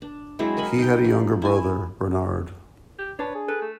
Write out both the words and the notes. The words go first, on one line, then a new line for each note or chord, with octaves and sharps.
He had a younger brother, Bernard.
D4
F#3 G#3 C4 E4
A#4 D#5 G#5 B5
D#4 G5
F3
E4 G#5
G4
D4 B4 C#5 A5
G#4
A4 B4
A3